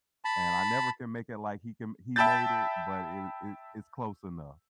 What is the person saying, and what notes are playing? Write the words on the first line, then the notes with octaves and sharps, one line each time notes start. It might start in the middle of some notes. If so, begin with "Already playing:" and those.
And I never can make it like he can he made it, but it it it's close enough.
A5 B5
E5 G5 A5 B5 G6 A6